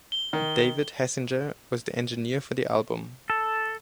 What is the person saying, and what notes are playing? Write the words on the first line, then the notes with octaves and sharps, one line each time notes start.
David Hassinger was the engineer for the album.
G7
D#3
A4